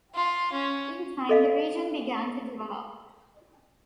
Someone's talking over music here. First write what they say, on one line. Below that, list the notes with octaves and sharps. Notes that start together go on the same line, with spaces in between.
In time, the region began to develop.
F4
C#4
A4 D#5 F5